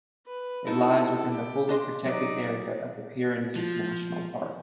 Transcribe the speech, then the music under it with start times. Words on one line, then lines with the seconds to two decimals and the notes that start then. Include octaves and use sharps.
It lies within the fully protected area of the Pyrenees National Park.
0.27 B4
0.67 D#4 E4 A4
1.32 G4
1.69 D4 D#5 C6
2.05 F#3 D#4 D5
3.56 F3